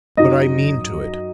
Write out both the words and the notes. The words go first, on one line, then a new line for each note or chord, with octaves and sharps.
But I mean to it.
F#2 F#3 D#4 D#5